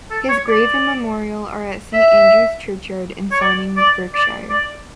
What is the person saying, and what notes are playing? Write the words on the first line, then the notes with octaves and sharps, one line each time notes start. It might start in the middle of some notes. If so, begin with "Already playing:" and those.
His grave and memorial are at Saint Andrew's churchyard in Sonning, Berkshire.
A4
C#5
D5
E5
C#5
D5
D5
D5
D5